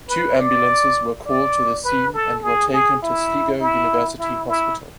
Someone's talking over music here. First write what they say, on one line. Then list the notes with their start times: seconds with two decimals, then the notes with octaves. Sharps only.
Two ambulances were called to the scene and were taken to Sligo University Hospital.
0.08 B4
0.38 D5
1.26 D5
1.84 B4
2.14 A4
2.43 G#4
2.72 G#4
3.02 E4
3.60 E4
4.19 E4
4.49 E4